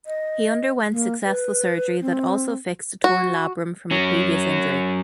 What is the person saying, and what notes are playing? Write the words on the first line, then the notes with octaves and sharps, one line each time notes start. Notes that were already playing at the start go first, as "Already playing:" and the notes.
He underwent successful surgery that also fixed a torn labrum from a previous injury.
D#5
A#3
B4
C4
F#4
F#3 C#4